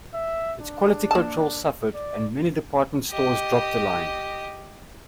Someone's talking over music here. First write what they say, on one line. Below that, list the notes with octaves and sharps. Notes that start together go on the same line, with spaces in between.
Its quality control suffered, and many department stores dropped the line.
E5
D4
A#3 A5
D5
G4 D#5